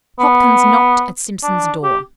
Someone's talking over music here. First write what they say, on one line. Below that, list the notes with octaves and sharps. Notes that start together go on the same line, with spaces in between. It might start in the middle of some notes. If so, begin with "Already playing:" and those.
Hopkins knocked at Simpson's door.
B3
D4
G4